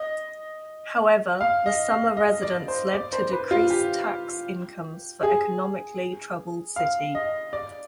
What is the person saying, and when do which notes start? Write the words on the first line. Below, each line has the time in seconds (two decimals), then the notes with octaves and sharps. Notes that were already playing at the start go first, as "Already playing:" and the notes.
However, the summer residents led to decreased tax incomes for economically troubled city.
Already playing: D#5
1.41 F5
1.66 D#5
1.91 F5
2.17 D#5
2.43 D5
2.68 C5
2.93 D5
3.13 C5
3.32 B4
3.51 F4
3.70 G4
5.23 G#4
6.76 F5
7.15 D#5
7.53 D5